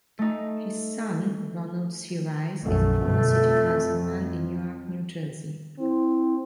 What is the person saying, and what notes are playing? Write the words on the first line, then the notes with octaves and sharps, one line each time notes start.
His son, Ronald C. Rice, is a former city councilman in Newark, New Jersey.
A3 D#4
B1 F#2 A3
G1 F#2 B2
F2
C4 E4